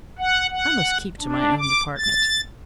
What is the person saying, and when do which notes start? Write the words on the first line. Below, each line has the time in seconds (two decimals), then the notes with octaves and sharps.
"I must keep to my own department."
0.19 F#5
0.51 F#5
1.20 D4
1.59 D6
1.98 A6